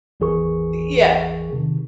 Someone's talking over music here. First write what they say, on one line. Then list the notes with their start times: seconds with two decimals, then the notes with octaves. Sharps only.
Y yeah.
0.20 G#1 E2 E3 G#4 A#4 C#6
1.53 C3 D#3